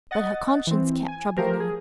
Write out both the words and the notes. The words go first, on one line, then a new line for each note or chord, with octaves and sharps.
But her conscience kept troubling her.
D#5 F#5 A6
E3 C4
G#5
F3 A3 G4 A#4 C5
G#4